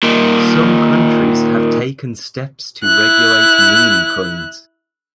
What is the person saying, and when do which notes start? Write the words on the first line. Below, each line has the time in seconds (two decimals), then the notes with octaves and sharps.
Some countries have taken steps to regulate meme coins.
0.03 A#2 D#3
2.84 E4 F#6